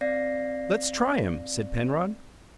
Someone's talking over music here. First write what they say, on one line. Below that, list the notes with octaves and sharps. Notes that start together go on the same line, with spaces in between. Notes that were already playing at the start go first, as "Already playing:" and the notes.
"Let's try him," said Penrod.
C4 D5 F5 A#6 C7